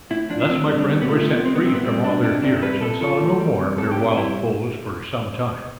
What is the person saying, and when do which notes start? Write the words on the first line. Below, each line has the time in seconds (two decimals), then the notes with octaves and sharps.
Thus my friends were set free from all their fears, and saw no more of their wild foes for some time.
0.11 A2 E4
0.29 F3 D4
0.40 D4
0.49 A2 C4
0.68 G3 D4
0.88 C3 B3
1.02 B3
1.08 F3 A3
1.20 A3
1.27 C3
1.33 B3
1.46 G3 C4
1.56 B3
1.65 C3 C4
1.75 B3
1.85 G3 C4
2.04 A2 D4
2.23 C3 D4
2.42 C3 D4
2.62 G3 B4
2.81 C3 A4
3.01 F3 A4
3.20 A2
3.39 G3
3.59 C3
3.78 C3 A4
3.92 G4
3.98 C3
4.16 G3 E4